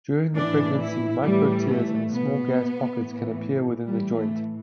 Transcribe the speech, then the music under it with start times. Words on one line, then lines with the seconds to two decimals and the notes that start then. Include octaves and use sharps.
During the pregnancy, micro tears and small gas pockets can appear within the joint.
0.35 A2 E3 D4
0.80 E4
1.23 A2 E3 G3
1.66 A3
2.10 B2 B3
2.98 A2 E3
3.85 A2 E3 G3
4.14 A3